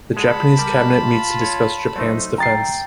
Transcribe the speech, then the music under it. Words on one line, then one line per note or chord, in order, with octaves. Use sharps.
The Japanese cabinet meets to discuss Japan's defence.
G#3 F#5 A5 B5
G3 G4 A#4
F4
C#5
F#3 A3 D#4 C5
G5 A#5 A6 C7